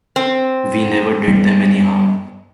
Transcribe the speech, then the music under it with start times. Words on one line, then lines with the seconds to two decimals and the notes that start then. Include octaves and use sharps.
We never did them any harm.
0.16 C4
1.28 G3 B3